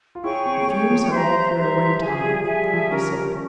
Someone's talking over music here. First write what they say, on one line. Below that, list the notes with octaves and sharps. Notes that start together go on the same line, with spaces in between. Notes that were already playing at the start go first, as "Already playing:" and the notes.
"The fumes have all cleared away, Tom," he said.
F4
E4 G#4 C#5 G5 C#6
C4
A#3
G#3 G#4 C#5 G5 C#6
F3
G3 C5 E5 A#5
G3 C5 E5 A#5
F3
F3 G#4 E5 G#5
G3
F3 G#4 E5 G#5
G3
F3
C#4 G4 A#4
C#4